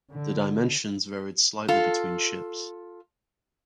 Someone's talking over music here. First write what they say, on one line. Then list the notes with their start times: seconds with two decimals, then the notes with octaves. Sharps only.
The dimensions varied slightly between ships.
0.11 D3
1.68 F4 A4